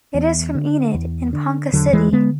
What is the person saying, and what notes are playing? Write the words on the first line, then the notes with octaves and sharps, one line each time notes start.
It is from Enid and Ponca City.
E2
D3
E2
D3
E2 D3 F#3
E3 G#3
D3 G#3 B3